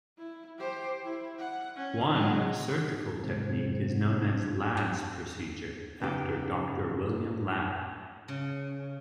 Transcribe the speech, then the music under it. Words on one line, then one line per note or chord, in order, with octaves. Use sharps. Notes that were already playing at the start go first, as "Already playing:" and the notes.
One surgical technique is known as "Ladd's procedure", after Doctor William Ladd.
E4
G4 C5
E4
F#5
C#4
F#3 G#3
G#2 C3 C4
C#3 B3 D#4 G4
C#3